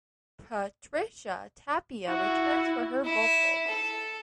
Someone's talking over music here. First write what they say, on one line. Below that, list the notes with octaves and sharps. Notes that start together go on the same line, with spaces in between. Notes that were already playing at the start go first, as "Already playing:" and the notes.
Patricia Tapia returns for her vocal.
E4 F#4
E4
A4